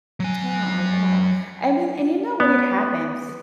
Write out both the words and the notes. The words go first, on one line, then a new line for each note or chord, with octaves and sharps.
Oh, wow. I mean and you know, when it happens
F#3 G#5
B3